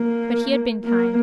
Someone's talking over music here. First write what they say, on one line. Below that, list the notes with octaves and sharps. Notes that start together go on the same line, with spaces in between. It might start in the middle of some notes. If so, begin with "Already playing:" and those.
But he had been kind.
Already playing: A#3
A#3